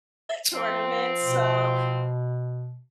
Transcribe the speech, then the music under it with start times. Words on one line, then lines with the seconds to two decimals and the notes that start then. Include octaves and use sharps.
tournament, so
0.53 F3 C4
1.23 B2